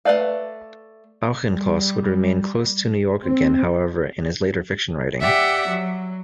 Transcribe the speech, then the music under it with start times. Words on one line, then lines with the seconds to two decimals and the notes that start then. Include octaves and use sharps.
Auchincloss would remain close to New York again, however, in his later fiction writing.
0.05 A3 A#4 B4 D5 F5
1.48 G3
3.23 C4
5.21 G4 D5 E5 F#5
5.69 F#3